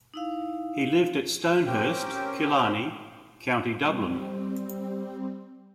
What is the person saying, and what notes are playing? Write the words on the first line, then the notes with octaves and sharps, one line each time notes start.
He lived at Stonehurst, Killiney, County Dublin.
D#4 E4 F5
C4 C#4 G4 A#4 C5 G5
G3 C4